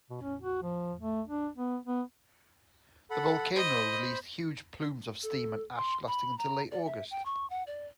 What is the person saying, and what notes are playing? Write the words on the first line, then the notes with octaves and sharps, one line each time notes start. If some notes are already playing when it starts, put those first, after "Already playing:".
The volcano released huge plumes of steam and ash lasting until late August.
B2
C#4
F#4
F3
A3
D4
B3
B3
A4 F#5 B5
C5 D#5 B5
A4
C6
B5
A#5
D5
E5
G5
C#6
F#5
D5